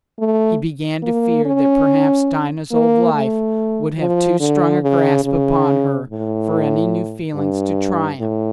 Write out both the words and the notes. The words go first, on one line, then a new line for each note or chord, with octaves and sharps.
He began to fear that perhaps Dinah's old life would have too strong a grasp upon her for any new feeling to triumph.
A3
A#3
C#4
A#3
A3
F3
D3
C#3
C#3
A2
G2
A2